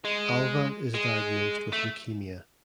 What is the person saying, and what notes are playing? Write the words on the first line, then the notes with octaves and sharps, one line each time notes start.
Alva is diagnosed with leukemia.
G#3
G#3
A3